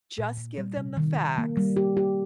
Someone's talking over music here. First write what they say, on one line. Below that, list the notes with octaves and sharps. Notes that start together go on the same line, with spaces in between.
just give them the facts,
A#2
A#2
G3
C3
D#3
D#3
A#3
G3
G4
G4